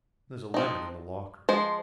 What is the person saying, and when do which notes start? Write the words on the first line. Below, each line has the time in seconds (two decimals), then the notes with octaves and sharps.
There's a lemon in the locker.
0.54 F3 C4 D#4
1.49 F3 G#3 C5